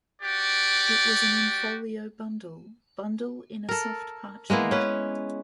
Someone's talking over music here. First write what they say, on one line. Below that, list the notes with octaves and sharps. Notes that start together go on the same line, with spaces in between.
It was an in-folio bundle, bundle in a soft parchment.
F#4 G4 D5
A4 A#4
G#3 A#3 B3 E4
C#4 B4